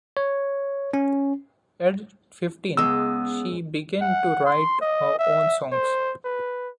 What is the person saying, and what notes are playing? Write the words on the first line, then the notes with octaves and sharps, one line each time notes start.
At fifteen, she began to write her own songs.
C#5
C#4
C#2 G#3 B3 E6
F#5
C6
D#5
E5
C5
B4